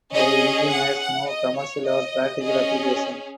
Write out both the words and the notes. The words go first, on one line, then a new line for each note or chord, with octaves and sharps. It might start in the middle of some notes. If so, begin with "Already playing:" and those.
The engine has no commercial or practical application.
C#4 G#4 D#5
F#5
F#5
D#5
C#5
D#5
C#4 G#4 D#5